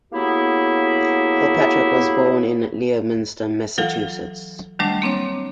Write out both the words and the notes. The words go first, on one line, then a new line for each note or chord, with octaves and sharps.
Kirkpatrick was born in Leominster, Massachusetts.
F#3 A#3 B3 E4 G4 G#4
E3 F#3 F4 A4 F5
D#3 F#3 G3 A3 D4
A#3 C4 D4 C#5